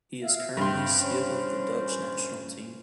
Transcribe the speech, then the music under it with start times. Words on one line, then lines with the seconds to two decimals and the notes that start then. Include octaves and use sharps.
He is currently skip of the Dutch national team.
0.22 E5 F5
0.57 G2 C4 G5 C6
1.01 C#4 C5